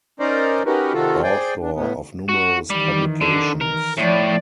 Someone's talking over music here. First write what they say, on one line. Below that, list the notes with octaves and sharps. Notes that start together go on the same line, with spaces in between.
Author of numerous publications.
C#4 D#4 A#4 C5 D5
C#4 D#4 F#4 G4 A#4 B4
C3 D#3 F4 F#4 A4
G#4 C5 D5 G5
D4
A2 B3
F#4
D#3 E3 G3
D3
A#4
A2 F3 D5